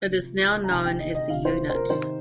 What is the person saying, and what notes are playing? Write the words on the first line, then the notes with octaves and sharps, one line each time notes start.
It is now known as the Unit.
C3 F3
A#5
C3 D#3 G#5
G5
D#5
D#5
C3 F3 F5
C5
C5
A#4
C3 D#3 C5